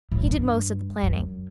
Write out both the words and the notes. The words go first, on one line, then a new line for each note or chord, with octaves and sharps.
He did most of the planning.
A2
G#2
G2
F#2